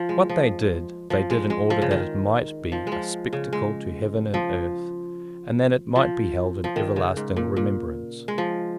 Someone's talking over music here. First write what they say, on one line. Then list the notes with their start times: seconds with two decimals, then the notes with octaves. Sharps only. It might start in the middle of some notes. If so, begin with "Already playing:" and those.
What they did they did in order that it might be a spectacle to heaven and earth, and that it might be held in everlasting remembrance.
Already playing: F3
0.09 G#3
0.29 F3
1.10 F3
1.30 G#3
1.50 G#3
1.70 F3
1.82 C#3
1.91 D#3
2.72 F3
2.87 F3 G#3
3.33 C#3
3.53 G#3
4.34 F3
5.96 F3
6.64 F3
6.76 D#3
6.96 C#3
7.17 G#2
7.36 A#2
7.57 A#2
8.28 G#3
8.38 F3